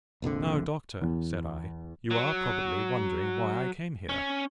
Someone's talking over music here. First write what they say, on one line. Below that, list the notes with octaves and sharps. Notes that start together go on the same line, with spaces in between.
"Now, Doctor," said I, "you are, probably, wondering why I came here?"
F1 A#1 F2 D3
E2
F#3
C#4